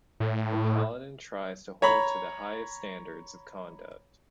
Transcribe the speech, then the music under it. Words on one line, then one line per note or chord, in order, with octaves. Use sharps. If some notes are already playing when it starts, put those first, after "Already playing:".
A paladin tries to hold to the highest standards of conduct.
A2
C#5 A#5 B5